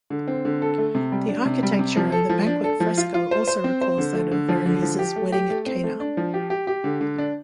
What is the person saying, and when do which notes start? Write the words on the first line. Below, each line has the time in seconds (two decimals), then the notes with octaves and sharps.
The architecture of the "Banquet" fresco also recalls that of Veronese's "Wedding at Cana".
0.10 D3
0.28 C4
0.45 D3
0.62 A4
0.78 A3
0.95 C3
1.12 G3
1.28 D4
1.46 C3
1.63 G3
1.79 C3
1.97 F3
2.12 A4
2.29 F3
2.47 D4
2.64 A4
2.80 F3
2.98 F4
3.14 F4
3.31 C5
3.47 C5
3.64 C4
3.81 C5
3.98 D3
4.15 A3
4.31 D3
4.49 F3
4.66 D3
4.82 F3
4.99 G4
5.16 A3
5.32 G4
5.50 A3
5.66 C4
5.83 A3
6.00 D4
6.17 F3
6.34 G4
6.50 G4
6.67 G4
6.84 D3
7.01 D3
7.18 D4